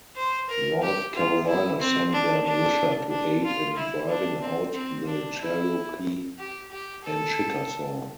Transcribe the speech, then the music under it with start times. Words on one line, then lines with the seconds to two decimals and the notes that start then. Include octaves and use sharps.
North Carolina sent their militia to aid in driving out the Cherokee and Chickasaw.
0.16 C5
0.49 A#4
0.82 G4
1.15 F4
1.47 E4
1.80 C4
2.13 D4
2.46 D4
3.10 D4
3.44 F4
3.77 E4
4.09 D4
4.41 C4
4.74 C4
5.07 D4
5.40 E4
6.38 G4
6.72 G4
7.04 A4